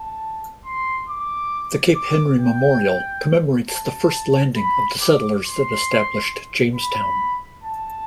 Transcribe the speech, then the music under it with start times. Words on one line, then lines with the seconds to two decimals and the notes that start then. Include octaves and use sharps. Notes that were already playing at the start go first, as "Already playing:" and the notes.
The Cape Henry Memorial commemorates The First Landing of the settlers that established Jamestown.
Already playing: A5
0.65 C6
1.09 D6
1.96 D6
2.39 G5
3.70 A5
4.57 B5
5.01 D6
5.44 C6
6.75 B5
7.63 A5